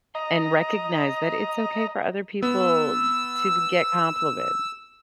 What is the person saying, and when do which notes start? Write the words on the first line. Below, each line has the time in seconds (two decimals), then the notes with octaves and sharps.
and recognize that it's okay for other people to b get compliments.
0.15 D#5 A#5
2.42 B3 E6